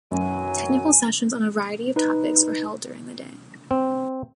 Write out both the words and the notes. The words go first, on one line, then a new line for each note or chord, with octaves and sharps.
Technical sessions on a variety of topics are held during the day.
F#2 D#3 E3 F#3 G#5
D#4 B4
C4